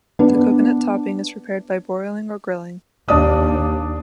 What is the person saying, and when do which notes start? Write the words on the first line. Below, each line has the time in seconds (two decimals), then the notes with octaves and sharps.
The coconut topping is prepared by broiling or grilling.
0.19 B3 D4
3.08 D#2 D4 D5 D#6